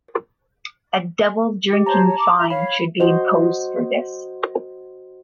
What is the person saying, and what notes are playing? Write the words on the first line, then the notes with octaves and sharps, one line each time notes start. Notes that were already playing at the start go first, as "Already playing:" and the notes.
A double drinking fine should be imposed for this.
G4
C5 C#5 A5 A#5
C#5
D6
E5 A#5
C#5 F5 B5
F#4 C5 D#5